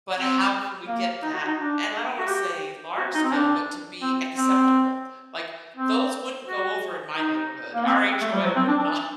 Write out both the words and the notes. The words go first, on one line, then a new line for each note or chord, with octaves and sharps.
but how can we get that, and I don't wanna say large scale, but to be acceptable. Like, those wouldn't go over in my neighborhood. Our HOA would not
C4
A#3
D#4
F#4
D#4
D4
F#4
G4
F#4
D#4
C4
D4
C4
C4
C4
F#4
D#4
A#3
C4
A3
G3
F#3
C4
D4
D4